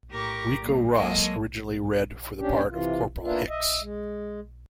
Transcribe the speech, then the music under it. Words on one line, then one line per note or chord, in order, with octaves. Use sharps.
Ricco Ross originally read for the part of Corporal Hicks.
A2 G4 A#4 A#5 C#6 D6
A#2 G3
F#3 G#3 A#3 A4 D#5
D#2 C#4 D4 G4
C3 E3 F4
A#3 B3 D4 E4 F4
D#5 E5
G#3